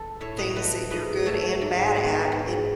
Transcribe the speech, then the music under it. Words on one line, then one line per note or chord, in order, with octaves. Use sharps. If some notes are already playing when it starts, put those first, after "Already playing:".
things that you're good and bad at it
Already playing: A4 B4
A2 C#5 E5
B4 D#5
A3 B4 D#5
G#2 B4 D#5
A3 A4 C#5
G#2
B3
G#2